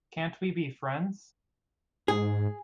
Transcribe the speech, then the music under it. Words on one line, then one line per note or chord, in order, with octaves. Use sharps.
Can't We Be Friends?
G#2 G#4